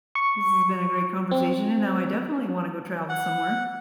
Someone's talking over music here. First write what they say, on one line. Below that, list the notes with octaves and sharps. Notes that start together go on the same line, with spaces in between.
this has been a great conversation, and now I definitely wanna go travel somewhere.
C#6
C4
F#5